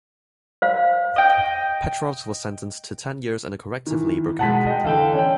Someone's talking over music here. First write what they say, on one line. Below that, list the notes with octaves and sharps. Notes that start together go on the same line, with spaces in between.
Petrovs was sentenced to ten years in a corrective labor camp.
C5 F5
D#5 G5
D#3 E3
B2 G#3 F#5 A5 B6
D#5 G5
D3 E3 A4 F5 G5
C#4 G5